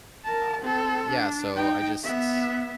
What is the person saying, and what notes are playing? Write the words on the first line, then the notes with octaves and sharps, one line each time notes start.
um, yeah, so I just
A#4 A5
C4 A4
D4
D#4 G5
B3 E5